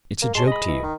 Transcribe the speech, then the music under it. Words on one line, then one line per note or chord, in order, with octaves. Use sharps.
It's a joke to you.
A#3
G#3 C#5 A5 C6
D#5 B5
E3
D#3